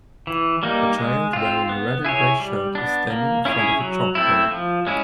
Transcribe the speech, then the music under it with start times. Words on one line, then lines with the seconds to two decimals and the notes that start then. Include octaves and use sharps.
A child wearing a red and gray shirt is standing in front of a chalkboard.
0.27 E3
0.63 G3 A#3 D#4
0.99 G#3
1.33 C4 F4
1.69 B3
2.05 E4 G#4 C#5
2.40 G3
2.75 B3 D4
3.10 A#3
3.45 C#4 E4 G#4 C#5
3.80 F#3
4.15 A3 C4 E4
4.51 F3
4.87 G#3 C#4 E4